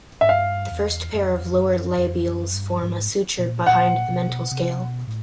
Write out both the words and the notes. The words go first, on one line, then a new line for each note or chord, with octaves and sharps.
The first pair of lower labials form a suture behind the mental scale.
G#2 E5
G2 F5
E2
F#2
F2
E2
F2
F#2
F2
F#2
G2
G#2
A#2
A#2 F#5
B2
C3
B2
A2